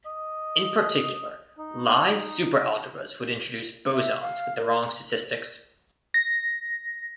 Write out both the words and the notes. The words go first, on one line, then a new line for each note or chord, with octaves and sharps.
In particular Lie superalgebras would introduce bosons with the wrong statistics.
D#5
D#4
E5
F5
A#4
A#6